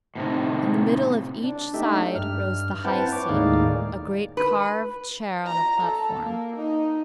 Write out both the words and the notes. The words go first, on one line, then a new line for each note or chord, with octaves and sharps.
In the middle of each side rose the high seat, a great carved chair on a platform.
A2 C3 D#4
D4
A3 D4 D#4 G4 E5
G2 F6
C4 E4 B4 F#5 G5 A5
C#5 D6
D#2 A2 G#3 D#4 D5 F5
B4
A#5
A4
A#3
D#4